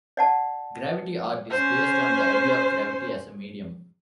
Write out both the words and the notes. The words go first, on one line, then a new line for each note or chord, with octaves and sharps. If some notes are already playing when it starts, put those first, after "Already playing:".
Gravity Art is based on the idea of gravity as a medium.
D5 F#5 A5
C#4 C5